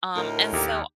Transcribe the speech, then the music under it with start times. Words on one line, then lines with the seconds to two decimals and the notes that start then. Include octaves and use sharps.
um, and so
0.16 D2 A2 D#4 A#4
0.53 D#2 G4